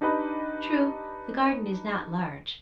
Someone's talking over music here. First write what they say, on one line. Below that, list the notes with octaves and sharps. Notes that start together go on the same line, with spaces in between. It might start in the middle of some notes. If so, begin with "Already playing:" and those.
"True, the garden is not large."
D4 D#4 G4 B4 D#5